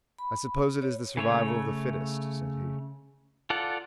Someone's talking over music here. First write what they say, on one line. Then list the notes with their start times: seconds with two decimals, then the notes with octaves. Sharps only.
"I suppose it is the survival of the fittest," said he.
0.19 B5
0.82 C#5
1.17 C#3 A3 C#5
3.50 F4 A4 D5 F#5